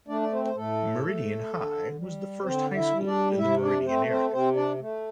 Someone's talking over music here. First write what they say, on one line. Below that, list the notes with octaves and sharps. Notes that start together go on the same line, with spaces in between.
Meridian High was the first high school in the Meridian area.
A3 D4 D5
D5
C4 C5
C5
A2 A3 A4
A3
D3
G3
D3 C4 C5
E4 E5
G3
D4 D5
C3 E4 E5
D4 D5
A3 C4 C5
C4 C5
C3 C4 C5
D4 D5
A3